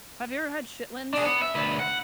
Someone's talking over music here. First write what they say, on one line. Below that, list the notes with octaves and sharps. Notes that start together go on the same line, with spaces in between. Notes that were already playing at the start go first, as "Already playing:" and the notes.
Have you ever had chitlins?
D4 G#4
B3
E5
D2 B4
F#5